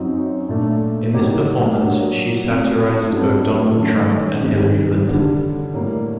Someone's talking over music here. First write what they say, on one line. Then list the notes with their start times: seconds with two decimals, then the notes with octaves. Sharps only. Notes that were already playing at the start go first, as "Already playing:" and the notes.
In this performance, she satirizes both Donald Trump and Hillary Clinton.
Already playing: F#2 F#3 C4 D#4
0.49 A#2 A3 D4
1.14 A2 F#3 A#3 D#4 G4
1.80 F#3 A#3 D4 F#4
2.46 A2 A3 C4 F#4
3.12 G2 F#3 C4 G4
3.77 F#2 D#3 A3
4.43 C3 D#3 G3
5.09 D3 G3 D4
5.74 A2 G3 A#3